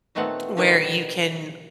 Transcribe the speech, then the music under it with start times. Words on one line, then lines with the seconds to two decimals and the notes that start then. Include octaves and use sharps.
where you can
0.15 A#2 D#3 A3 B3 C4 F#5
0.57 B2 D3 D#3 F#3 G3 B3